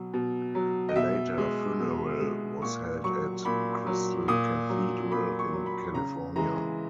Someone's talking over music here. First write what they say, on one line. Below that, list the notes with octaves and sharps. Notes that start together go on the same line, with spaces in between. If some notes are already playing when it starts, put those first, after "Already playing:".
A later funeral was held at Crystal Cathedral in California.
Already playing: B2 F#3
B2
F#3
D#5
B2 E5
G#3
B2
G#3
A#2 C#6
F#3 C#6
A#2 B5
F#3
A#2 D#6
F#3
A#2 B5
C#6
F#3
B5
C#3 A#5
E3 G#3 A#5